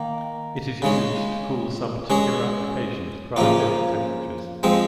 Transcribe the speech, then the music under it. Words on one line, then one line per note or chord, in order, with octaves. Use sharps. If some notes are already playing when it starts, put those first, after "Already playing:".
It is used to cool some particular application to cryogenic temperatures.
Already playing: D#3 A#3
C#3 G#3 C#4
G#3 C#4 G#4
C#3 F3 A#3 F4
F3 G#3 C4